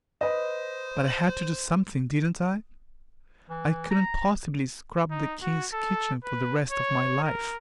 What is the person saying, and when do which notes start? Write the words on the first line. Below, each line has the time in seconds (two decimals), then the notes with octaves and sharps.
But I had to do something, didn't I?--I couldn't possibly scrub the King's kitchen for the rest of my life.
0.21 B4 C5 D#5
1.08 F#7
3.50 E3
3.91 A#5
5.11 D#4
5.42 F#4
5.73 A4
6.24 B4
6.71 C#5
7.24 A#4